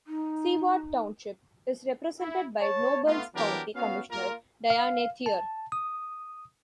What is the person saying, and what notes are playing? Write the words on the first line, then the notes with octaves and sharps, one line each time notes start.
Seward Township is represented by Nobles County Commissioner Diane Thier.
D#4
E4
C#5 A5
A3 B3 F4
E3 F#3 B3 D4 G4 A#4
B3 C#4 F#4 F5
A#3 F4 A#4
F5
A5
D#6